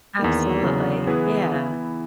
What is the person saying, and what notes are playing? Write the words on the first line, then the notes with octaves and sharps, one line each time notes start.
Absolutely, yeah.
E2 D#3 A#3
E2 C#3 F#3
E3 B3 E4 G#4 B4
E3 B3 E4